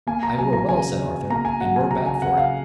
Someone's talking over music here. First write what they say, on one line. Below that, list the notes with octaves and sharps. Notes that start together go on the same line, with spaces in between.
"I will well," said Arthur, and rode back for it.
A#3 G#5
A#5
F#3 G#5
A#5
C#3 G#5
C#3
A#3 A#5
G#5
F#3 F#5
G#5
C#3 A#5
G#5
C#3 F#5
F5